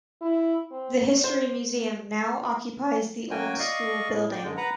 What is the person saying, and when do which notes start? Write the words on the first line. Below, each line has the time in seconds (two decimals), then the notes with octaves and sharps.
The history museum now occupies the old school building.
0.22 E4
0.71 C4
1.24 C5
3.30 F#3 A#3 C#4 F#4 G5 G#5
3.59 D5 D#5 F5 C#6
4.12 A2
4.32 D5 G5
4.43 F#2 D3 G#3
4.57 B4 F#5 A#5